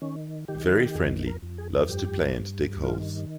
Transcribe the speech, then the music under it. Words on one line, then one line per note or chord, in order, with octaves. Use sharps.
Very friendly, loves to play and dig holes.
D#3 C#4
D#3 G4
F4
G4
F2 G#4
A#4
F2
G#4
G2 G4
G2
D#3 F4